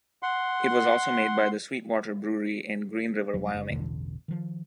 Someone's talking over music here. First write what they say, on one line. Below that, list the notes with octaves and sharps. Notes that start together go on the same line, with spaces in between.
It was also made by the Sweetwater Brewery in Green River, Wyoming.
F#5 C6
E1 F#3 G3
F#1
A1 E2 B2 D3
D#3 F3